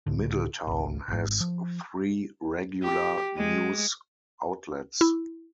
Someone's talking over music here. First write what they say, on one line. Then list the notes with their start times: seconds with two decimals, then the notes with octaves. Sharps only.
Middletown has three regular news outlets.
0.06 C#2 A2 D3
0.67 G#1 C#2
1.08 G#1 G#2
1.40 F3
2.83 G4
3.37 G#3
5.01 E4